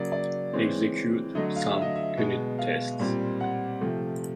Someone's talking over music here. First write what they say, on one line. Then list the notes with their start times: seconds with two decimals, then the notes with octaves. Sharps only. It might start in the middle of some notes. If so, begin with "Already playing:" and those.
Execute some unit tests.
Already playing: C#3 F#3 A#3 D5
0.12 D5
0.53 E3 G#3 C4 C#5
1.35 D3 F#3 A3 D#5
1.56 F5
1.69 E5
1.82 D#5
1.96 E5
2.17 B2 G#3 B3
2.59 F5
3.00 A#2 G3 C4
3.41 F#5
3.81 C3 F3 A3